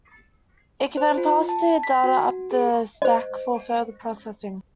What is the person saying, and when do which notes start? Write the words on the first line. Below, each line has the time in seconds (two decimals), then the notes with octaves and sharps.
It can then pass their data up the stack for further processing.
0.97 C5
1.18 F4
1.49 A5
1.83 B6
2.04 F#4
2.51 G#4
3.02 C5 D#5